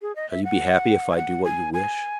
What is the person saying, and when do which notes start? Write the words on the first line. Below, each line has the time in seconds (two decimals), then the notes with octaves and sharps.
"Shall you be happy if I do what you wish?"
0.02 G#4
0.16 D#5
0.30 E5
0.44 F#5
1.11 G#5
1.16 F#5
1.44 G#5
1.74 G#5